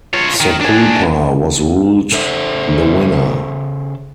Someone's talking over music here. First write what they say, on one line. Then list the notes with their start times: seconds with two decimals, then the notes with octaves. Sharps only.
Sapulpa was ruled the winner.
0.14 F4 C#5
0.40 D#3
0.61 D4 G#4
2.12 C#3 A4 C5 E5